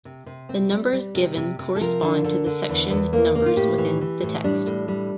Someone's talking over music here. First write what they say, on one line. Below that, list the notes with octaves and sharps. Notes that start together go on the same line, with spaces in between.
The numbers given correspond to the section numbers within the text.
C3
C3
C4
G3
G3
C3
C3
C3
A4
F3 A#4
D3
D3
D3
E2
E2
A#3
A#3
F4
A2 G4
E3
E3
A2
G3 D4
A2
G3